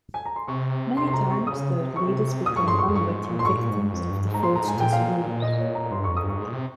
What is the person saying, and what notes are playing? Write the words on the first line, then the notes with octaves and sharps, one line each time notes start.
Many times, those leaders become unwitting victims of the fraudster's ruse.
G#5
A#5
C6
C3 C#6
C6
C6
A#5
C#6
C#3 D#6
C3
C#6
A#2 D#6
C#6
G2
C6
C#6
F2
G2 C#6
G#2
A#2
C6
G#2 C#6
A#2
G#2
G2
F2
G2
G#2
A#5
A#2 C6
G#2 A#5
G#5
A#2 G5
F5
D#5
C#5
A#5
G2 C6
F2 C#6
D#6
G2 C#6
G#2
A#2
C3